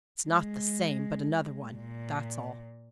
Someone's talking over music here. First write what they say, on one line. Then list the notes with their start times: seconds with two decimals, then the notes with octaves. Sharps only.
"It's not the same but another one; that's all."
0.27 G#3
1.74 A#2